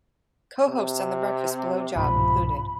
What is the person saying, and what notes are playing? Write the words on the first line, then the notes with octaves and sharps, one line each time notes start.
Co-hosts on the breakfast blow job included.
C3
C2 G#2 B2 F3 B5